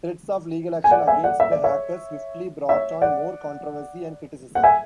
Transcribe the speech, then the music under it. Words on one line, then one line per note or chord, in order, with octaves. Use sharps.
Threats of legal action against the hackers swiftly brought on more controversy and criticism.
G#5
D5 F#5
E5 G#5
D5 F#5
E5
D5
C#5 E5
C#5 E5
D5 F#5
F#5
E5 G#5